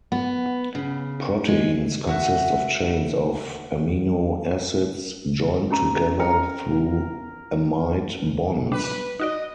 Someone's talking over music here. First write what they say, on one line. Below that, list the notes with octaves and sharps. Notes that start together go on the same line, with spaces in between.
Proteins consist of chains of amino acids joined together through amide bonds.
B3
C#3
G#3
F#4 E5 F#5
C#4 G4 A#5
A#4 G5
G3 D4 B4
D#4 F#4 D5 D#5